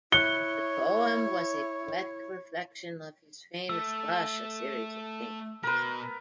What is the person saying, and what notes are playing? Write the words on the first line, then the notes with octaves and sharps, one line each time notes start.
The poem was a poetic reflection of his famous "Russia" series of paintings.
E4 C#5 F#6 C#7 G7
A3 E6
B2 A#4 B4